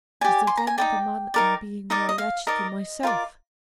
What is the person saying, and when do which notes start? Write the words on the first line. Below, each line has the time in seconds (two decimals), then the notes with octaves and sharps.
Is there then the Man in Being more wretched than myself?
0.21 G4 D5 G#5
0.47 C6
0.57 A#5
0.67 G#5
0.78 D#4 A#4 D5 G5
1.34 D#4 A#4 D5
1.90 D#4 A#4 D5 D#5
2.09 D#5
2.18 F5
2.47 D#4 A#4 D5 D#5
3.03 F4 A#4 D5